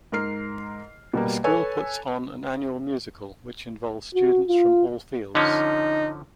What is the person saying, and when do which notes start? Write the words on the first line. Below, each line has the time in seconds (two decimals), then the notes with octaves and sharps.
The school puts on an annual musical which involves students from all fields.
0.12 G#2 A#4 F6 C7
1.13 B2 G3 A#3
1.44 A4 B4 C#5 G#5
4.15 F#4
4.48 F4
5.35 D3 F3 C#4 D#4